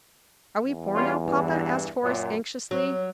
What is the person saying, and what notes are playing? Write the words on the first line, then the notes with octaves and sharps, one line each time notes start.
"Are we poor now, papa?" asked Horace anxiously.
E2
G3 C#4 F4
G2 E3
F#2 A#2
F#3